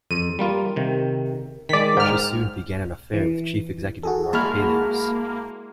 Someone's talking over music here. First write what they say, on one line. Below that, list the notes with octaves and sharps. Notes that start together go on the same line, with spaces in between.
She soon began an affair with chief executive Mark Palios.
F2 D#7
G3 A#3 F4
C3 D#3
D#3 G#3 D5 B6
G#2 G5 F6
E3
F#4 G#4 A4
G#3 A#3 E4 F#4 A5 B5 F6